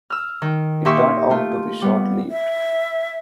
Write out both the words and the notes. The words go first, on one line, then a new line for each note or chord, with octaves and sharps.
It turned out to be short-lived.
E6 F6
D#3
A#2 D#4 G4 E5 C6 C#6
A3 F4
G3 B3
E5